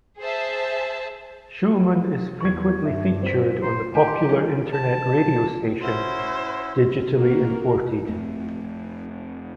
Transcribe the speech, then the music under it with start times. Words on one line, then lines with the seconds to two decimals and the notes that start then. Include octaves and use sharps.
Shulman is frequently featured on the popular internet radio station, Digitally Imported.
0.19 G#4 C5 E5 A5
2.41 E2 C#6 G#6
2.85 G2 E5
3.23 C4 B6
3.62 E4 F4 C5
3.95 A2 G4 G#5
4.08 C6
4.29 F#3 G#3 C#4 G#4
4.73 A5
5.82 C#4 E4 F#4 C5
7.12 A#3 F#4 A#4
8.08 F2 A3 C4